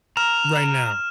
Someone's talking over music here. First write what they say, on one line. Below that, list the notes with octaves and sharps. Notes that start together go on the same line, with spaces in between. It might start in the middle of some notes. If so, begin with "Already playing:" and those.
Right now.
A#5 F6 E7